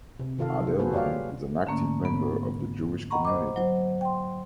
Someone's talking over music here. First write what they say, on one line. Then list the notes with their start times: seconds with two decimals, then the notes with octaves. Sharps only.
Adelman is an active member of the Jewish community.
0.19 C3
0.38 C3 D#3 F4 A4 F5
0.60 F#3
0.79 A#3 F#4 G#4 A4 B4 C5
0.92 F4 G4 C#5 D5 F5
1.66 G#2 D3 A3 A#3 C#4
2.02 G#2 B3
3.10 D#5 F#5 G5 A#5 B5 C#6
3.25 C5 D#5 D6
3.56 F#3 C5
4.01 G5 C6